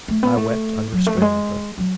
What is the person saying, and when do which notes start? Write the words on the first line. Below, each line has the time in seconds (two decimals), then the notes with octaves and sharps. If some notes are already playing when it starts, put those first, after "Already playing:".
I wept unrestrainedly.
0.08 A3
0.23 B3
0.37 A3
0.92 F#3
1.07 A3
1.17 F#3
1.22 G#3
1.78 F#3